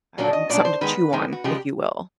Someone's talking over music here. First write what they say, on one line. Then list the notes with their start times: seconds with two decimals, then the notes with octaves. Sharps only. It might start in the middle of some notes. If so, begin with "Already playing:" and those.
um, something to chew on, if you will.
0.18 A#2 F#3 A#3 D4
0.33 D#5
0.49 A#2 F#3 A#3 D4 D5
0.65 C5
0.81 D#3 G#3 B3 B4
1.13 D#3 G#3 B3
1.32 F#4
1.44 C#3 F3 G#3 G4